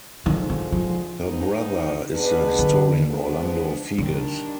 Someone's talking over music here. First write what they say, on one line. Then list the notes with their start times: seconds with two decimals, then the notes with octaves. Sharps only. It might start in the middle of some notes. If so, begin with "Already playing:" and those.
Her brother is the historian Orlando Figes.
0.26 D#2 D3 D#3 G#3 C4 F4
0.50 D#3
0.72 F3
1.19 G#2 F3 B3 D#4
2.12 B2 B3 D4 G#4 B4
2.59 D3
3.05 G#2 F3 G#3 B3 D4
3.98 D#2 D3 D#3 G3 D4